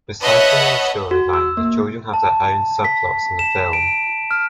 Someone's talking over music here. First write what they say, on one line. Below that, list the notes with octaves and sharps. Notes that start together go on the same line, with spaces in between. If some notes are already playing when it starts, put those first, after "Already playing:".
Besides the main storyline, the children have their own subplots in the film.
B4 C#5 D#5 E5 F#5 A5
F#4
E6
A#3
A5
B6
E7
D7
F6